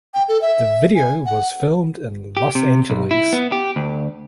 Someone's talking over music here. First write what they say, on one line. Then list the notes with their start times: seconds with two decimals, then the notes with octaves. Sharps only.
The video was filmed In Los Angeles.
0.14 G5
0.28 A4
0.42 E5
0.95 G#5
1.26 F#5
2.37 G4
2.55 C3
2.90 B1
3.11 E4
3.33 B3
3.52 G4
3.76 D2